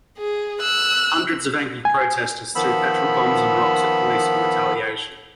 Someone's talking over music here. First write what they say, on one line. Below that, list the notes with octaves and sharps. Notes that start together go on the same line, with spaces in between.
Hundreds of angry protesters threw petrol bombs and rocks at police in retaliation.
G#4
E6 F#6
G#5
D#3 F3 B3 B5 E6